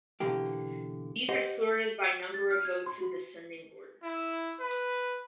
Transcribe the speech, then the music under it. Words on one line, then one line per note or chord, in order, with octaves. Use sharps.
These are sorted by number of votes in descending order.
B2 D3 E3 A#3 G4
G4 C5 D#5 F#5
A6
F6
G#6
C6
F#4
E4
B4